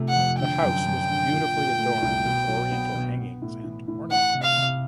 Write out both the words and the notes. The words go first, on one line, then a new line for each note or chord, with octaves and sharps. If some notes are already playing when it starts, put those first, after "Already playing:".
The house was beautifully adorned with Oriental hangings and ornaments.
Already playing: C3 F3 A3
F#5
F2
D3 G5
F#2
F#2
D3
A#2
A#2
A3
C2
B2
F#3
B3
B2
B3
A2
E3
A2
E3 F#5
C3
F5
C3